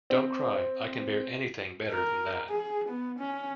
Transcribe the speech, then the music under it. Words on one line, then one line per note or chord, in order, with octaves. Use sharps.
Don't cry, I can bear anything better than that.
C4
A#4
G#4
B3
C#4